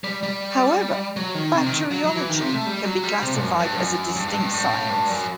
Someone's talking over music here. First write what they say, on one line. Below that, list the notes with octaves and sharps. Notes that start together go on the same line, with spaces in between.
However, bacteriology can be classified as a distinct science.
G3
G3
F#3
D#3
C3
D#3
F#3
F#3
E3
D#3
C3
A3
G3
F#3
G3
C3
F#2
G2
F#2
G2
G2
G2
A2
G2
F#2